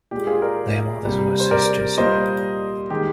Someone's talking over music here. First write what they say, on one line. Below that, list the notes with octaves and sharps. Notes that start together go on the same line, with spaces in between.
Their mothers were sisters.
A#2 G#3 G4
F4 G#4
A#4 D5
C3 G3 A#3
C5
A#4 D5
A#2 G3 A#3 C5 D#5
D#3 G#3 G4